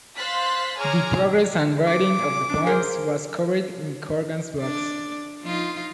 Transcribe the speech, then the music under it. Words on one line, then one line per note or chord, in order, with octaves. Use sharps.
The progress and writing of the poems was covered in Corgan's blogs.
C5 F5 C6 F#6 A6 B6
G#4 C#5 A#5 D6 F6 G#6
D6
A#2
D4
G#4 A#4 C5
D4 D5
F3 D#4 F4